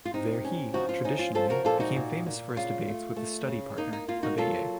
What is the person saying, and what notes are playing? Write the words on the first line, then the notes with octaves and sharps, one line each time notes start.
There he, traditionally, became famous for his debates with his study-partner Abaye.
F4
C3 D#4
C#4
F3 D#4 F#4
F4
C#4 D#4
F4
F3 F4 A4
F#4 A#4
A#2 F4 A4
D#4 F#4
A#2
A#2
C#3 F4
A3
A3
C#3
A#3 D#4
D#4
A#3 F4
D#4 F#4
F#3 F4 A4